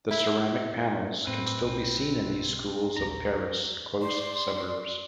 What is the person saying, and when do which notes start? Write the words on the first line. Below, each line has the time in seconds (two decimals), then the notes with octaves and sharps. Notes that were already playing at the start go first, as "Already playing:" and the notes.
These ceramic panels can still be seen in these schools of Paris close suburbs.
0.11 E4
1.27 A2 C4 B4
1.62 B1 B2
2.97 A#1 D#2 C#4 A#5
4.02 D5 C6